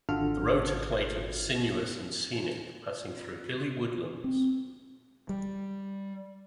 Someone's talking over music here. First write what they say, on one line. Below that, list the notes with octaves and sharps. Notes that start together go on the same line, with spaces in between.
The road to Clayton is sinuous and scenic, passing through hilly woodlands.
G#1 D3 F4 F#4 A4 F6
C4
G3